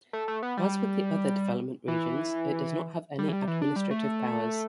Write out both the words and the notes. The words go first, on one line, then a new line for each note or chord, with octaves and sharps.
As with the other development regions, it does not have any administrative powers.
A3
A3
B3
G3
E3
G3
E3
G3
E3
D4
G3
A3